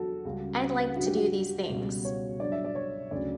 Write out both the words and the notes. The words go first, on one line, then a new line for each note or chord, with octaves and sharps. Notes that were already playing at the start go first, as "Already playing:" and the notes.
I'd like to do these things.
Already playing: E2 D3 F#3 F#4 A4
C#2 C#3 G3
G2 D3 F#3 F#4
G4
F#4
C#2 B2 G3
C#5
G2 F#3 D5
E5
D5
C#5
D2 C#3 F#3 D5